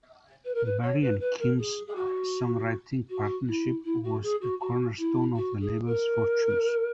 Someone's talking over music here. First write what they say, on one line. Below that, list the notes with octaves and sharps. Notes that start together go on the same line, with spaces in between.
Barry and Kim's songwriting partnership was a cornerstone of the label's fortunes.
B4
A#4
B4
C#5
B4
B4
A#4
G#4
G#4
F#4
F#4
E4
E4
F#4
G#4
F#4
F#4
E4
F#4
G#4
A#4